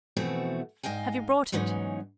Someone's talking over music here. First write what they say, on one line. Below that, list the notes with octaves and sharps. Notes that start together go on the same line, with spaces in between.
"Have you brought it?"
B2 E3 F3 A3 C4 F#4
G#2 D#5 F5 G5 G#5
E2 G#2 E3 F#3 C#4 D#4